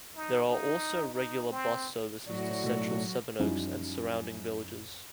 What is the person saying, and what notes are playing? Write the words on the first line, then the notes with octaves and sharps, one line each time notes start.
There are also regular bus services to central Sevenoaks and surrounding villages.
D#4
D#4
D#4
C4
A2 F#3 F#4 D5
B1 A3
F#2 F3 G3 C#4 D#4 E4